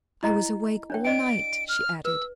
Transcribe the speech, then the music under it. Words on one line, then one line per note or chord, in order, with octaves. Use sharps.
"I was awake all night," she added.
E4 D#5 A#5
D4 C#5 G5
D5 D#5 G5 D7
F6
B4 E6